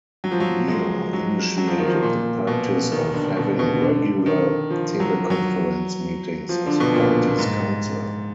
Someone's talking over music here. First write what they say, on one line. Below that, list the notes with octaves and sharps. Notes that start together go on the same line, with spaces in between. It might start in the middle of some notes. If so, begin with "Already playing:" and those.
Lea initiated the practice of having regular teleconference meetings of the party's council.
F#3
F3
F#3
G#3
F#3
F#3
F3
D#3
F3
A#2
B2
D#3
D3
B2
B2
D3
D#3
F3
F#3
F#3
F3
D3
B2
A#2
A#2
G#2